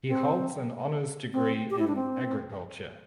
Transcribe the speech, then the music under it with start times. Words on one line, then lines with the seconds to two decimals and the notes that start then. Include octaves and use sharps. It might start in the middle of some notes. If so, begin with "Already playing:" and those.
He holds an honours degree in agriculture.
0.08 C4
1.33 C4
1.70 G4
1.79 E4
1.88 D4
1.96 C4